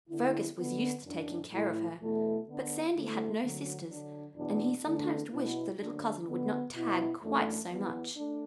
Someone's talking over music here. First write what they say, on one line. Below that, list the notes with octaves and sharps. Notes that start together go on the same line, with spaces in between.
Fergus was used to taking care of her, but Sandy had no sisters and he sometimes wished the little cousin would not tag quite so much.
D3 B3 E4
D3 F#3 B3
F#2 E3 D4
A2 E3 A3 E4
E2 B2 A3 E4
D3 B3 D4
D2 D3 A3 E4
D2 D3 F#3
D3 F#3 D4
E2 B2 F#3 D4
E2 D3 A3 D4
B2 F#3 B3 E4
D2 D3 F#3 D4
D3 F#3 B3
B2 B3 E4
F#2 E3 A3 D4
E2 E3 B3
A3 D4